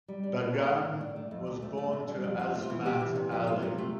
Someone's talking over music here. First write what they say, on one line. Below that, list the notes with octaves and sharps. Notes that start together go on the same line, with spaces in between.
Begum was born to Azmat Ali.
G3
D4
A2
A#3 C5
A2
A2
D4
A3
F2
D2
A3
A3
C3
G3
F2
C4 F4
A3
F4
E3
C3 G4
E3
C3
F2 G4
C3 F4
C3 F4
A3 F4